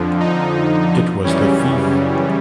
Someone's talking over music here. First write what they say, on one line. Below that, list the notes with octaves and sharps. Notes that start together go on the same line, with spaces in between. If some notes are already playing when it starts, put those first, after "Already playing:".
It was the thief.
Already playing: F2 D3 F3
D#4
F#2 C#3 E3 G3 C#4
C#4